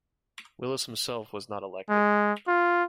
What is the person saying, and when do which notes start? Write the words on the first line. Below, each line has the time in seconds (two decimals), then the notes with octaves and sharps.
Willis himself was not elected.
1.90 G#3
2.48 F4